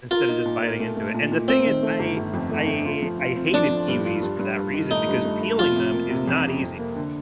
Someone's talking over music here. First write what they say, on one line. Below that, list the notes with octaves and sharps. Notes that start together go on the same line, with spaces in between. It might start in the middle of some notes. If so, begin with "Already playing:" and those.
instead of just biting into it. And the thing is, I I I hated kiwis for that reason, because peeling them is not easy.
F4 A#4
D#4
A#2
A#4
A3
A3
A#2
A#2
A3 C4
D#3
A3
G1
G1
F2
A3
A3
F4
F3
F4
C4
F3 D4
F3
G2
F4
G2
G2
G2
D#3
A3 D#4
G2
A3
A3
F2 F4
C3
A#3
C3
F2
C3
F2
A#3
D3